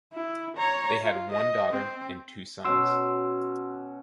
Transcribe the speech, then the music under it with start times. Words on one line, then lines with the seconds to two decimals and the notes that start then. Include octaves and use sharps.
They had one daughter and two sons.
0.13 E4
0.57 C#5 A#5
1.03 F4
1.32 D#5
1.71 C4
2.65 B2 C#4 F#4 C6 E6